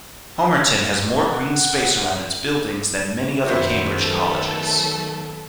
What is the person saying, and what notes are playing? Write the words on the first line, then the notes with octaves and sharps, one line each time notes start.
Homerton has more green space around its buildings than many other Cambridge colleges.
F#5
F#2 D#3 B3 F#4 C5 E5
F#3 A3 B3 A4